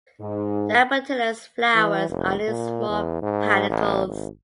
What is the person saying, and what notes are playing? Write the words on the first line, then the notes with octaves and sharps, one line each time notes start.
The apetalous flowers are in small panicles.
G#2
E3
F1
A#2
E2
G#2
A1
G#1